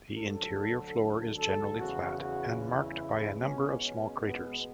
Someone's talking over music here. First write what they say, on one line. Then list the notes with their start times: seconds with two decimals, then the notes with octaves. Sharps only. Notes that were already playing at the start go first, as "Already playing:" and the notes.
The interior floor is generally flat, and marked by a number of small craters.
0.15 D2 D3 F#3 A4
1.37 A4
1.77 E2 C#3 G#3 F#4
2.18 F#4
2.60 E4
3.40 B2 G#3 B3 C#4
3.81 C#4
4.22 B3